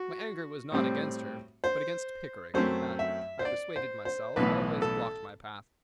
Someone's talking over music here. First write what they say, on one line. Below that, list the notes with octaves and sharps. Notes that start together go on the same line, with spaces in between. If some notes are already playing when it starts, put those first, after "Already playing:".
My anger was not against her, but against Pickering, who had, I persuaded myself, always blocked my path.
Already playing: F#4
A2 G3 C4
C5
F#2 F#3 A3 C4 C5
E5
C5
D5
C5
C5
B1 A2 E3 B3 B4
A4